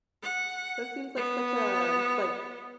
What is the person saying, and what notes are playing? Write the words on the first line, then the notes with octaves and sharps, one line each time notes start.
That seems like such a, like
F#5
B3